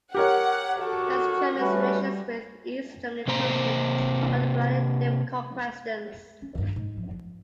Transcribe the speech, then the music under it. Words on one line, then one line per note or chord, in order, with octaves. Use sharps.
West Germany's relations with East Germany posed particularly difficult questions.
G4 A#4 C#5 F#5
F#4 A4
G3 A3 C#4 B4
C3 A#3 C5 A#5
C#4
G2 D#3
G#2
F3
F3